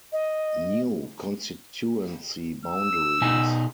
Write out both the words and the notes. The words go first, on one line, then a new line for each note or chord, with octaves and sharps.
New constituency boundaries.
D#5
E6
B2 D#4 G#5